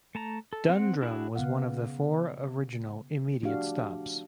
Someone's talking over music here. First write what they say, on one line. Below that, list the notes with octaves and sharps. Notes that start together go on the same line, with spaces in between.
Dundrum was one of the four original intermediate stops.
A3 A5 A#5
A4
C4 F#5
D4 E4 F#4 G#4
C#3 B3 F5 F#5
F3 A3 D4 F#4 G4 F5